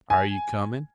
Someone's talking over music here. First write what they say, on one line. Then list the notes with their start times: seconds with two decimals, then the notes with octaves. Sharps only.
"Are you coming?"
0.10 G#5